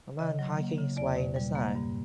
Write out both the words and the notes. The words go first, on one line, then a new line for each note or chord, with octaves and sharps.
A man hiking his way in the snow.
C#3 D#5
F#3
A#3
C#3
E2 D5
B2
G3
A#3
G2